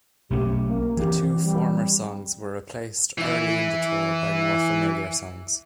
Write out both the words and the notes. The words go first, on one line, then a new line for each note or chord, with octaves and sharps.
The two former songs were replaced early in the tour by more familiar songs.
B1 A3 C#4 G4
A#3
E3 C4 G4
G3
E3 E4